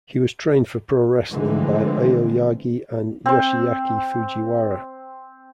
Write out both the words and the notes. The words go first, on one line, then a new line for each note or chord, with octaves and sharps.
He was trained for pro wrestling by Aoyagi and Yoshiaki Fujiwara.
D3 E3 F3 G#3 A3 C4
C4 C5